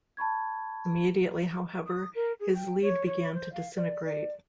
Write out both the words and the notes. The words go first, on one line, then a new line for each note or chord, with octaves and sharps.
Immediately, however, his lead began to disintegrate.
A5 B5 C#6 G#6
D#6
A#4
G#4
G5
C#5
C#5
C5
F5
D5
D5